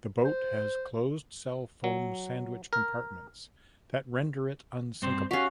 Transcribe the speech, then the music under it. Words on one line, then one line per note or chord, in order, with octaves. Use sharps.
The boat has closed cell foam sandwich compartments that render it unsinkable.
C5
F#3
A#4
G2 C4 C5
C#4 F#4 G4 F5